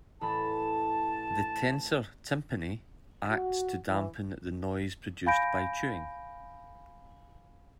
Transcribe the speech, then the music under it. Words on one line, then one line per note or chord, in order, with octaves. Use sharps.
The tensor tympani acts to dampen the noise produced by chewing.
A1 A5 B5
F#4
E3
F5 G#5 B5 G6 A#6 D7